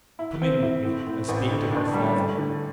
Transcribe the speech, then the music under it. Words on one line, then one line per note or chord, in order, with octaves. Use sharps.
'Come in with me, and speak to her father.'
E4
C4
E4
A2
A2
A1
D3
D4
G3
A3
D3